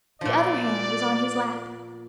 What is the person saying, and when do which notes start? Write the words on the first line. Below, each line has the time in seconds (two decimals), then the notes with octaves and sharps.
The other hand was on his lap.
0.21 A#2 F3 D5